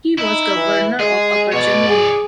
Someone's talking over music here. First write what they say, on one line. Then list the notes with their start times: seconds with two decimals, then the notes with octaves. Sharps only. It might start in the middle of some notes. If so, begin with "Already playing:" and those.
He was governor of Upper Germania.
0.18 D#4 E4
0.55 E3
1.00 G#3 G#4
1.52 B2 C#5 D5
1.89 G#4